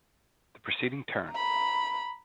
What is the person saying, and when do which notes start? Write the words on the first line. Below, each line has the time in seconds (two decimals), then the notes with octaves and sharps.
The preceding Turn!
1.32 A#5 B5